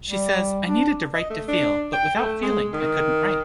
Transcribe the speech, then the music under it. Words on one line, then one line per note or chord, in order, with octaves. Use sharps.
She says, I needed to write to feel, but without feeling I couldn't write.
G3
D4
D#5
A3
D4
G5
A3
G#3
D#3